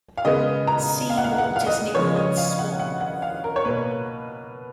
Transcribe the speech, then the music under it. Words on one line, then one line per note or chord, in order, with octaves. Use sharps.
See Walt Disney World Swan.
F5
C#3 G#3 B3 D#5
A#5
F5
F#5
F5
F#5
F5
D#5
C#3 F3 B3 C#5
D#5
F5
F#5
F#5
F#5
F5
A#4
C#5
B2 A#3 B4